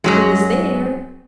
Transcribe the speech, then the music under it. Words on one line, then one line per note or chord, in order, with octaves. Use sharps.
"Who is there?"
F#2 F#3 G#3